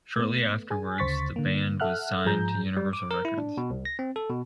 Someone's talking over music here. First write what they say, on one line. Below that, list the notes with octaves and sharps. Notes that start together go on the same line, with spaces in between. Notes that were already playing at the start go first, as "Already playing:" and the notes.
Shortly afterwards the band was signed to Universal Records.
A3 B3
G#4 G#5
D2 C#3 C5 C#6 A6 B6
D3 A#3
A4 E5 F#5 F6 F#6
G#2 F3 G#4 A#5 G6
G3
D6
A#4
E4
D4
B2
C2
A#6
C4
A4
B2